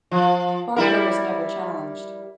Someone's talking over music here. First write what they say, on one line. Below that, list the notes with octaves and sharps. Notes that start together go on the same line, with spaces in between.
Parker was never challenged.
F3
G3 E4 A#4